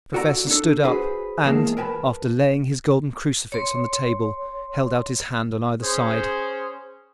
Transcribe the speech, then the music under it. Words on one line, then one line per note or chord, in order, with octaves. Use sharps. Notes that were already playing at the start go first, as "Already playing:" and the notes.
The Professor stood up and, after laying his golden crucifix on the table, held out his hand on either side.
F#4 A4 D5 A#5
D4 A4
F#4 G#4 B4 C5
E2 G#2 A#3 G#4 A5
A#4 B4 G#5 A5 B5
C#5 C6
C#4 G#4 C5